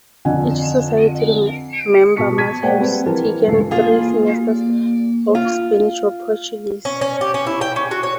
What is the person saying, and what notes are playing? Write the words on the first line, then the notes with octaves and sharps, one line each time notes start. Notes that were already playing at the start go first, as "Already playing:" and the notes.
Each society member must have taken three semesters of Spanish or Portuguese.
F2 D3 F#5 G#5
B2 A5 C#6 B6 C#7
A5 G#6 B6 D#7
G#3 A#3 C5 D5 F#5 G5
G3 C4 B4
E3 A#4 A5
D#1 C#2 G2 A4 C7
A#3 F4 G#4
F4
C#4
C#4
G4
C#4
E4
G5
C#4
F#4
C#5